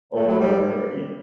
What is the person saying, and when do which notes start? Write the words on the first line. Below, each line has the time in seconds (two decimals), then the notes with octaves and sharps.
Or y
0.15 A3
0.27 F#3
0.39 G3